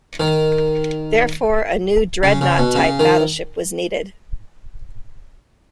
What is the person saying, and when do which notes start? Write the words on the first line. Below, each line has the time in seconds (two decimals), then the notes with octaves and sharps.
Therefore, a new dreadnought-type battleship was needed.
0.20 D#3
2.23 C#3
2.41 C#3
2.58 B2
2.75 C#3
3.00 D#3